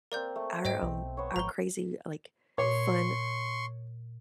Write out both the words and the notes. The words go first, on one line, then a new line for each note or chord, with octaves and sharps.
our, um, our crazy like fun
A#3 C4 A#4 D5 G6
A3
G#2 C5 D#5 G5
B1 C4
B3 C5 C#5
G#1 F3 G5 A#5 G7
A#2 C#5 C6 C#6